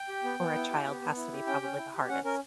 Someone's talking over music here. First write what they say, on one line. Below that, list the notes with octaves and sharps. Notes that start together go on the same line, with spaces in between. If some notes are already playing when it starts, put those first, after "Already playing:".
or a child has to be probably the hardest.
Already playing: G5
G4
B3
B3
E4
G4
B3
B3
E4
G4
C#4 G5
C#4
E4
G4
C#4 F#5
C#4 A#4